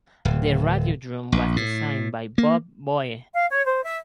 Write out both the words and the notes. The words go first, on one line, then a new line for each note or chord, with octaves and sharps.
The radiodrum was designed by Bob Boie.
D1
A#1
A2
A#3
F5
C#5
C5
E5